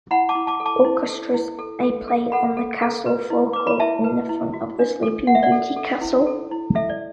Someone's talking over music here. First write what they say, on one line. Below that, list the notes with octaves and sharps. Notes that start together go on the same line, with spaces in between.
Orchestras may play on the castle forecourt in front of Sleeping Beauty Castle.
E4 F#5 B5
A5 D6
E4
A5 D6
A4
A5 D6
E4
A4
E4
A4
A4
A4
A4 F#5 B5
A4
A4
B4
E4
B4 D6
B5
E4 E5 A5
B4
E4
F#4
D4
A4
F#4 F#5
E5
D5 F#5
A4
A4
E4
A4
E4
A4 E5
D5